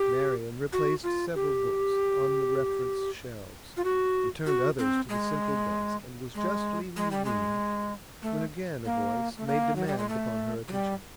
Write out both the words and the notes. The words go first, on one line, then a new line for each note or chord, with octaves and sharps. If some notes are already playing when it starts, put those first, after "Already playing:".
Marian replaced several books on the reference-shelves, returned others to the central desk, and was just leaving the room, when again a voice made demand upon her attention.
Already playing: G4
F#4
F4
G4
F4
F#4
F#4
C4
G#3
G#3
G#3
G3
G#3
A3
A#3
A3
A#3
F#3
G3
G#3
A3
F#3
G3